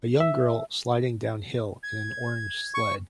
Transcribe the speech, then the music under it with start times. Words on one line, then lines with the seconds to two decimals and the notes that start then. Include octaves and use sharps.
A young girl sliding downhill in an orange sled.
0.20 E5
1.83 G#6
2.74 C#6